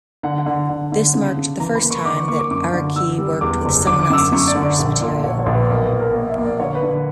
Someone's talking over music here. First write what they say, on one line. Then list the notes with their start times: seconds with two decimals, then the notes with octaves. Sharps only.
This marked the first time that Araki worked with someone else's source material.
0.23 D3 F#5
0.38 F#5
0.46 D3
0.69 D3
0.92 D3
1.15 C#3
1.37 C#3
1.60 E3 A#5
1.75 B5
1.82 A#3
1.91 C#6
2.05 D3 D6
2.17 C#6
2.28 A#3 C#6
2.39 D6
2.51 F#2 D6
2.73 D3
2.96 D3 E6
3.18 G3
3.41 E2 D6
3.65 F#1
3.87 D3 D6
4.02 D6
4.10 F#2 E6
4.17 D6
4.32 F#2 C#6
4.48 D5
4.56 D3
4.63 D5
4.78 A#1
5.01 A#2
5.24 A#1 C#5
5.39 C#5
5.46 A#1
5.54 B4
5.69 B1 A#4
5.84 B4
5.92 A#2
6.00 A#4
6.14 A#3 A#4
6.29 E5
6.38 A#3
6.45 D5
6.60 D3 C#5
6.75 B4
6.83 D3